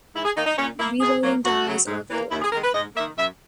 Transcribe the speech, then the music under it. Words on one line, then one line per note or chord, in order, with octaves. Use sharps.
Reloading dies are available.
G#2 E4
G#4
D#3 A#3 D#4
D#4
A#2 C#4
A#3 E4
B2 G#4
F#3 A#3
F#2 F#4
C#3 F#3
G#2
E3 A#3
D#2 E4
G#4
D#3 G#3 A#4
B4
G#2 D#5
D#3 A#3 E5
F#2 E5